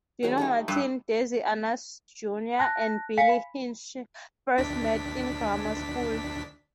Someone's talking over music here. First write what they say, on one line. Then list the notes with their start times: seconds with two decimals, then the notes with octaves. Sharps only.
Dino Martin, Desi Arnaz Junior and Billy Hinsche first met in grammar school.
0.23 D#3 F#3 G#3
0.38 G3 A3 D#4
0.68 G2
2.59 A5 F#6 A#6
3.17 F5 G#5 B6 C#7
3.29 B5
4.58 D2 D4 B6